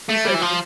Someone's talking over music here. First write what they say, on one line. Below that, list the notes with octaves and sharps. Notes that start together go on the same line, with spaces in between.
You said who?
A3
G3
E3
F3